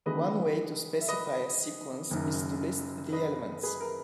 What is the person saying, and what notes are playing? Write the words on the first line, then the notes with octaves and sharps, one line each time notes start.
One way to specify a sequence is to list the elements.
D#2 C#3 E3 G#3 B4 D#5
E5
B4 D#5
F#1 F#2 D#3
B4 D#5
G#4 B4
A#4